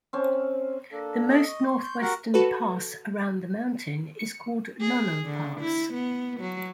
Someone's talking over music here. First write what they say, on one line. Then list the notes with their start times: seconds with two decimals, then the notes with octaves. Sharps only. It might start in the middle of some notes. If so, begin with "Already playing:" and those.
The most northwestern pass around the mountain is called Lolo Pass.
0.13 C4 C#4
0.92 A#3 D4 A4
1.29 D#5
1.48 C#6
1.63 C6 C#6
1.83 G6
2.01 F#4 G4 A#4 F#5
2.34 F#4 A4 B4
4.19 C#7
4.81 G#4
5.25 D3
5.60 E4
5.93 B3
6.40 F#3